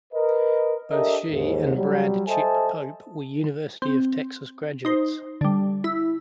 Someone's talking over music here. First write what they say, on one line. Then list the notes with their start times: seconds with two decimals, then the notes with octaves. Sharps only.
Both she and Brad "Chip" Pope were University of Texas graduates.
0.14 A#4 B4 D#5
0.91 D4 G4 A4 A#4 D#5 E5
1.31 D#2 G#2
1.76 F#3 G3
2.26 A4 C5 D#5 E5 G#5 A5
3.82 C4
4.85 D#4 C5
5.41 D3 G3
5.84 E4